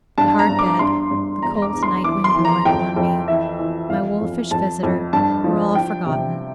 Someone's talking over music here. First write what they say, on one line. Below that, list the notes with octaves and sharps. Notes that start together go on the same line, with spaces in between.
The hard bed, the cold night wind blowing on me, my wolfish visitor, were all forgotten.
G2 A5
A#5
G2
D6
G2 C6
G2
E2 A#5
D6
E2
C6
E3 D6
C6
E3
A#5
F2 G5
F2
E3 E5
E3
F2 F5
F2
F2 A5
F2
G2 A5
F3
F3 G5
C3